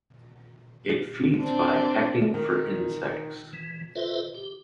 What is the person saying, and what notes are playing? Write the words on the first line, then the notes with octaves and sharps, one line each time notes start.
It feeds by pecking for insects.
C4 D4
D#3
E3
F4 A4 B4 C5 D#5 E5
G4